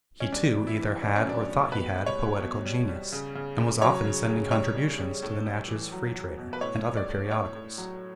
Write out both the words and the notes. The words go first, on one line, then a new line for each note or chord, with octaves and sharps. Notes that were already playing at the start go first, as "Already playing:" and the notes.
He too either had, or thought he had, poetical genius; and was often sending contributions to the Natchez Free Trader, and other periodicals.
C#4
G3 D4
E3
E4
E3
A2 D4
C#4
F#3 D4
A2
B2 B4
G3
C#5
G3
B2
G3
G3
C#3
C#3
C#3
F#3 C#5
C#3
C#3
G3 C#5
G3
G3
A2
G3
E3
F#3
F#3
B2
B4
A2 C#5
G3
D5
A2
A2 C#5
A2
F#3